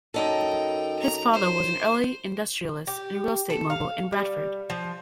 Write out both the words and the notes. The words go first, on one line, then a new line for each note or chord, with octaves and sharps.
His father was an early industrialist and real estate mogul in Bradford.
F#2 D#4 A4 G5
A#5
C5
G4
A4
F5
G3
F3